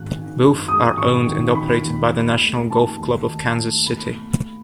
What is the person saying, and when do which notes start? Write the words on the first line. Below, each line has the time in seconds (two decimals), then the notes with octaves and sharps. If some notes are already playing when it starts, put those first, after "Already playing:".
Both are owned and operated by the National Golf Club of Kansas City.
Already playing: G#1 G#3 F#6
0.11 D#3
0.40 F#2
0.68 G#3 D#6
0.97 G#1 C#6
1.26 D#3
1.55 D#3 B5
1.84 D#2
2.13 D#2
2.42 A3
2.70 D#3 A5
2.99 D#2
3.28 D#2
3.57 A3
3.86 B2 B5
4.15 A3